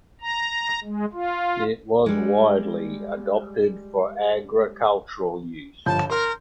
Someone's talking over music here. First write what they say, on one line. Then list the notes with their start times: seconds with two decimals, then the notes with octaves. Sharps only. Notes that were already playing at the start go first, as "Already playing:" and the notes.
It was widely adopted for agricultural use.
0.21 A#5
0.84 G#3
1.13 F4
2.06 G3 G#3
5.86 G1 F3 A5 G6
6.10 A#4 C6